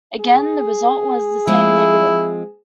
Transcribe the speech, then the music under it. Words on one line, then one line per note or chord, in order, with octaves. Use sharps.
Again, the result was the same-negative.
G#4
F3 G#3 C4 E4